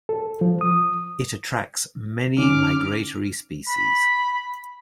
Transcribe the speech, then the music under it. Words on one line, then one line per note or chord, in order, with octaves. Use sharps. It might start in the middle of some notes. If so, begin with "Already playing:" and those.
It attracts many migratory species.
A4
F3
D#6
D3 C#4 D#4 D6 F6
B5